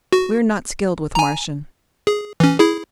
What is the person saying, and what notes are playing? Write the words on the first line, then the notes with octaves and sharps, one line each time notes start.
"We are not skilled with Martian."
F#4
G#5 A#5
G#4
E3 C#4
E4 G#4